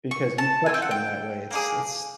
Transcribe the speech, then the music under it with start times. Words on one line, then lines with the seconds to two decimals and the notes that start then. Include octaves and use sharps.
because you touch them that way, it's it's
0.11 C#6
0.38 A5
0.66 C4 F4 A4 G#5
0.74 G5
0.82 F#5
0.91 G5
1.51 A#3 D4 F4 G#4